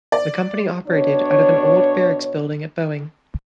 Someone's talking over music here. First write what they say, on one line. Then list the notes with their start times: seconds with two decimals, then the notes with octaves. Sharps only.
The company operated out of an old barracks building at Boeing.
0.12 D5
0.87 B2 D4 C#5